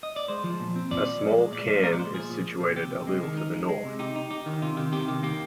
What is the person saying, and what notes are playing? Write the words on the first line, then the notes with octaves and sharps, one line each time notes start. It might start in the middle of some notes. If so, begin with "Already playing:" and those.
A small cairn is situated a little to the north.
D#5
D5
G#3 C5
F3
A#2
C4
F3 D5
F3
G#3
G#3
A#2 D5
F3 D5
G#3 A#4
D5
A#2 C5
F3 G#4
A#2
A#2
F3
C3 G4
C3
G#3
D#3
D#4
G#3
G#3
C3
D#4 G4
D#4
D#4 G4
D#3
C3 F4
D#3 G4
C3 G4
D#3 G4
A#3 G4